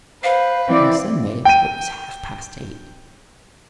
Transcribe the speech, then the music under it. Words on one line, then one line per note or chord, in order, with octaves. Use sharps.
On Sundays it was half-past eight.
B4 C5 F5
E3 C4 E4 D5
G5 D#7